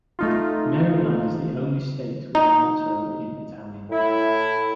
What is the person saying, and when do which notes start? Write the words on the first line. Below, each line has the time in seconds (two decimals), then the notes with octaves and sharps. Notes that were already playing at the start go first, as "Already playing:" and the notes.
Maryland is the only state with a motto in Italian.
0.19 A3 D#4 F4
2.35 D#4
3.90 A2 E4